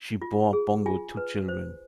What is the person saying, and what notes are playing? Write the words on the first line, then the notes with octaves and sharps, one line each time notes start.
She bore Bongo two children.
F4
G#4
F4 G#5
B4
C5